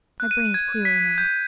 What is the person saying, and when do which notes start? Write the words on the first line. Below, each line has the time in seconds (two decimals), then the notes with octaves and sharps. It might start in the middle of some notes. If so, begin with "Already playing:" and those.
My brain is clearer now.
0.20 F#6
0.31 D#7
0.54 G#6
0.85 B6
1.18 G6